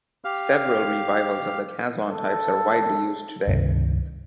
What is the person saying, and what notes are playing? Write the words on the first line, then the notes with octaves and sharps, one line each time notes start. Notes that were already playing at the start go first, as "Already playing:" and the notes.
Several revivals of the Caslon types are widely used today.
G4 F5 F6
A4
C#2 G2 C3 D#3